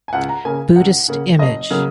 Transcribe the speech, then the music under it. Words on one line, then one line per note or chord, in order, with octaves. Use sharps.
Buddhist image.
G#5
C#2 F#5
A#5
C#3 A#3 G#5
C#2 F#5
C#3 A#3
F#1 D#5
C#3 F#3 A#3